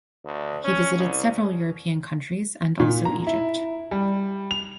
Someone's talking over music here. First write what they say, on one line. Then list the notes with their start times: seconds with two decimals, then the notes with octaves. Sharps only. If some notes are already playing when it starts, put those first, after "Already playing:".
He visited several European countries and also Egypt.
0.25 D2
0.64 C#4
0.97 C2
2.80 A#2
3.05 A#5
3.27 E4
3.91 G3
4.51 F7